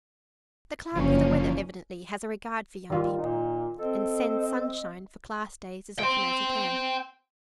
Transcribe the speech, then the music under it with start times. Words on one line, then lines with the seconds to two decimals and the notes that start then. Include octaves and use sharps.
The clerk of the weather evidently has a regard for young people, and sends sunshine for class days as often as he can.
0.95 F#1 D3 F3 A#3 C#4
2.90 D#3 G3 F4
3.18 A#2 D#4
3.79 C4 A4 D#5
5.99 G5 C6